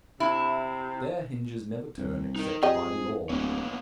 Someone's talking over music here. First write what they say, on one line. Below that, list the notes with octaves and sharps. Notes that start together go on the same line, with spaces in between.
Their hinges never turn except by law.
C3 E4
C2
D#4 A#4
F2 G4 G#4 D#5
D1 A#3 B3 C#5